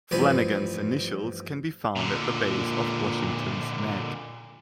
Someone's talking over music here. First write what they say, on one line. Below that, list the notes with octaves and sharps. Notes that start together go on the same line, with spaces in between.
Flanagan's initials can be found at the base of Washington's neck.
A1 G2 F3 B4 G#5
A#2 D3